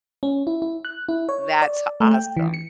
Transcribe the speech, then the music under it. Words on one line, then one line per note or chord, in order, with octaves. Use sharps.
That's awesome.
C#4
E4
E4
F#6
E4
C#5
D5
A3
G5
E3
C#7